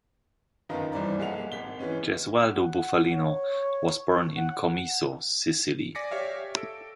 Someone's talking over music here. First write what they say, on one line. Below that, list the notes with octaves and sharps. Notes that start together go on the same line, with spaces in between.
Gesualdo Bufalino was born in Comiso, Sicily.
F#1 D#3 B3 F4 D#5 A#5
C2 G2 E3 C5 D5 A#5
B1 G#3 A#3 F#5 F7
G#1 B6 G7
E3 G#3 B3 C#4
F#5
C#5
F#5
D5 G#5 D6 A#6 B6 C#7
G4 C#5 E5 F5
A4 E6 D7